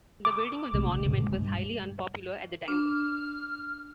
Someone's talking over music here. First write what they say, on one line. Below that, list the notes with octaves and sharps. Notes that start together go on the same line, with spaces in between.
The building of the monument was highly unpopular at the time.
D6
B1 C3 G#3 A3
C#3
G#2 B2 D3
G#3
G2
D4 F6